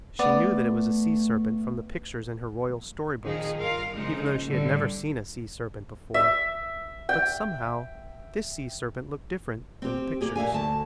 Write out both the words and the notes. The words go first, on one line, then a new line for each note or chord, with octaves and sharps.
She knew that it was a sea serpent from the pictures in her royal story books even though she had never seen a sea serpent before, but somehow this sea serpent looked different than the pictures.
A3 B3 D5
A#2 D#3 F3 D#4 G#4
G2 F4 A#4 F5
C#3 F3 G#3 A#3 D#4
A2 D3 G3
E5
G5
C4 G4
A#3 G4 G#4
A#2 E5 F5 G#5
D2 A5